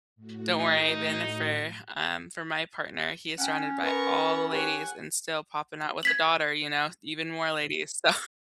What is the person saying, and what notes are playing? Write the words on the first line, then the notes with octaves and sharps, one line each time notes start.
don't worry, been it for, um, for my partner, he is surrounded by all the ladies and still popping out with a daughter, you know, even more ladies. So,
A2 F#4
D#4
C#4 F#5 G5
B3 A#4 C#6
G4 A#4 C#5 F#5 G#5
G#6 B6 F#7